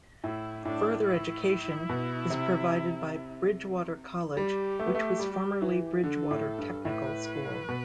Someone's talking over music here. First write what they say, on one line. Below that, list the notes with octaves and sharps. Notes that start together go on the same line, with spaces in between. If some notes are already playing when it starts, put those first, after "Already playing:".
Further Education is provided by Bridgwater College which was formerly Bridgwater Technical School.
A2 E4
A2 D4
E4
B2
C3
G3 G4
A3
B3
A3
G3
E3
D3 A4
A2
G2
A2 B4
B2